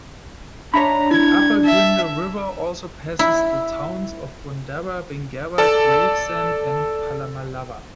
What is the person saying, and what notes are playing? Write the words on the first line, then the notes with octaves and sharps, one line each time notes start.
The upper Gwydir River also passes the towns of Bundarra, Bingara, Gravesend, and Pallamallawa.
D4 C#5 E5 A#5 B5
E4 G#6
E5 A5
E4
A4 D5 A5